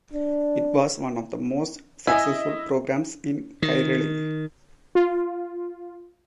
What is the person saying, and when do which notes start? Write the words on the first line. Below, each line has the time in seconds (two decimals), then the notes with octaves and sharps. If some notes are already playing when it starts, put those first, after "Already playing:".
It was one of the most successful programs in Kairali.
0.13 D4
2.07 E4 D#5 G#5
3.62 D#3
4.95 F4